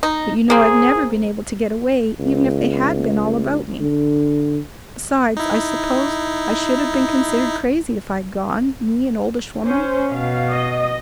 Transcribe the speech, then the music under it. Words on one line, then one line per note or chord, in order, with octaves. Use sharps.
But you know I've never been able to get away, even if they had been all about me. Besides, I suppose I should have been considered crazy if I had gone, me, an oldish woman!
D#4
A#3 C4 G#4
C#2
D3
D#4 E4
C#4 C5
B2 F5
D#5